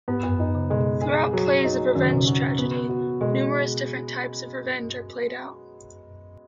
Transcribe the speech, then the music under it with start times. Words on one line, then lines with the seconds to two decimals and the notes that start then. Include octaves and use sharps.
Throughout plays of Revenge Tragedy, numerous different types of revenge are played out.
0.08 G#2 B3
0.23 F#2
0.40 F#2 D#4
0.55 C#3
0.70 B2 G#3
1.01 G#4
1.33 F#3
1.64 D#4
1.95 F#2 D#3
2.02 C#3
2.11 B2
2.18 C#3
2.27 F#4
2.58 B3
2.89 F#4
3.21 B2 G#3